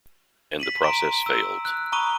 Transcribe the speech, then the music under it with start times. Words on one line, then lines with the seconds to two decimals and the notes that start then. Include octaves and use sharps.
And the process failed.
0.60 B6 D#7 F#7
0.83 A#5 C6 D7
1.26 E6
1.65 F#6
1.92 A#5 B5 C#6 D#6 D#7 G7